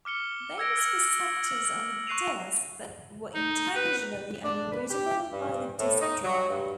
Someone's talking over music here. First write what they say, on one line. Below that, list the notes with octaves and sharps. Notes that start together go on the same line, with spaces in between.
These were sectors on the disk that were intentionally unreadable by the disk drive.
D6 F6 C#7 G7
E6 G#6 A#6 D7
E6 F6 G#6 C#7 F#7 G7
E6 G#6 F#7
C#6 F#6 C7 D#7 F7
D#4
B4
D4
B4
G4
G2
A2
D#4
F#3
G2